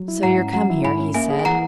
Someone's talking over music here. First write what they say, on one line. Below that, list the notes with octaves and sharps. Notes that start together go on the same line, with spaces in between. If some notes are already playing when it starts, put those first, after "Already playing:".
"So you're come here," he said.
Already playing: F#3
E4
G#2 F#5 A#5
C#4
F#3 F#5 A#5
E4
G#2 G#5 B5
C#4
A#3 E5 G#5
G#4
G#5
E3 F#5 A#5